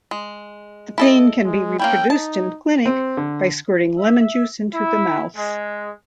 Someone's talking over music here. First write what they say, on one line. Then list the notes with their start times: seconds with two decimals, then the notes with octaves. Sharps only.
The pain can be reproduced in clinic by squirting lemon juice into the mouth.
0.11 G#3
0.98 E4 A4 D#5
1.44 G#3
1.79 A#3 C#4 E4 G5
2.10 D#4 A5
2.86 C4
3.17 D3
3.97 E5
4.73 E4
5.37 G#3